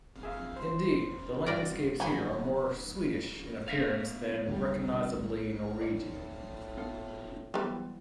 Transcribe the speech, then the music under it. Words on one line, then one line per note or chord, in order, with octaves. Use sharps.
Indeed, the landscapes here are more Swedish in appearance than recognisably Norwegian.
G#4 E5 F5
C5 C6
G2 F#4 A#4 D5 G5
D3 F#3 B3 C#5 G#5
B3 E5 F5
D2 G3
A2 C#5 D5
B3 F4 A4
E3 F#3 G3 B3 C5